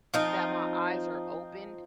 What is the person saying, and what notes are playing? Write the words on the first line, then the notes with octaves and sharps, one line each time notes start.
that my eyes are opened,
F3 C4 D#4